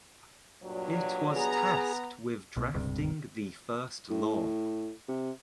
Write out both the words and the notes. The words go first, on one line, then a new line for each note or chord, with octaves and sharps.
It was tasked with drafting the first law.
G2 A#2 F#3
B3 G#4 A#5
B1 B2
D#1 C#2 G2 C3
A2
C3